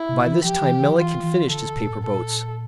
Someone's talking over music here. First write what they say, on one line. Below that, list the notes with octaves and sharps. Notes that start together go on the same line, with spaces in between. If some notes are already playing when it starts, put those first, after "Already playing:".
By this time Melick had finished his paper boats.
Already playing: E4
C3
E3
F3 G4
E3
E3
F3
E3 F4
E3
D3 A4
A#2
A2
A#2 A4